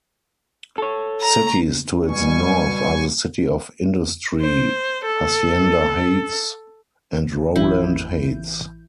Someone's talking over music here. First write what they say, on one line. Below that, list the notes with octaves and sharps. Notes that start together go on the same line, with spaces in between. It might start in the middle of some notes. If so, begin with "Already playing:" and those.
Cities to its north are the City of Industry, Hacienda Heights, and Rowland Heights.
A4 C#5
A#5
B2 G3 G#5 C#6
C5
A4
A1 E3 E4 G6